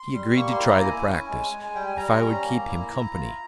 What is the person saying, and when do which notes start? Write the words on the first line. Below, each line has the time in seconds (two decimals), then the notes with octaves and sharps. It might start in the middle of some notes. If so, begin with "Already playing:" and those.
He agreed to try the practice, if I would keep him company.
Already playing: C6
0.14 G3
0.36 A#3 C#6
0.51 C6
0.59 E4
0.67 A#5
0.82 E4 G#5
1.06 C#4
1.29 G#3
1.51 G#3
1.63 G#5
1.74 G3 G5
1.86 G#5
1.97 G3 A#5
2.10 C6
2.21 C#4 A#5
2.43 A#3
2.67 E4
2.90 E4
3.13 F4